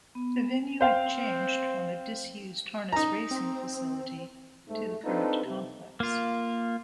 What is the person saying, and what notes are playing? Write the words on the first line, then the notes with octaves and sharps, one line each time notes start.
The venue had changed from a disused Harness Racing facility to the current complex.
B3
C4 C5 F5 G5
D#4 A#5
C4
G#2 A3
C4 D4 D#4 F4 A4 B4
C3
A#3 F4